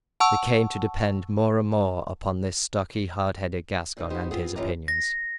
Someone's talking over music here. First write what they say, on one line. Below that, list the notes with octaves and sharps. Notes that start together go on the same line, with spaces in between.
They came to depend more and more upon this stocky, hard-headed Gascon and his opinions.
F#5 A5 C#6 E6
A#2 C4 D#4
B3 D#4 F#4 G4 C5
B3 C4 F4 G#4
F#2 E3 F4 G4 D#5 A#5
A#6